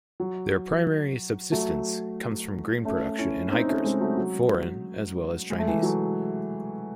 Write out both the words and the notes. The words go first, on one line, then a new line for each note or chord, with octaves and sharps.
Their primary subsistence comes from grain production and hikers, foreign as well as Chinese.
F#3
F#3 A3
A3 C#4
C#4 E4
C4 D#4
A3 C#4
G#3 C4
F#3 A3
F#3
G#3
A3
E3 G#3
F#3 A3